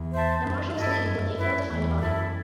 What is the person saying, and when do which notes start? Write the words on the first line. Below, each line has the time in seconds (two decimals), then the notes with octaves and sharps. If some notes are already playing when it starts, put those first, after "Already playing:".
The Marshals leave when they fail to find Bobby.
Already playing: E2
0.11 C5 E5 A5
0.42 F#2
0.73 G2 E4 A4 D#5
1.05 F#2
1.36 F#2 E4 B4 E5
1.68 E2
1.99 F#2 E4 A4 E5 B5